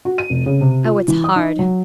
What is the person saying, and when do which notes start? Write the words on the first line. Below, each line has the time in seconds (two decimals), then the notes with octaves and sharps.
Oh it's hard.
0.05 F#4
0.18 D#7
0.30 F1
0.46 C#3
0.61 C3
0.84 F4
1.08 E3
1.24 D#6
1.36 D#4
1.59 F#3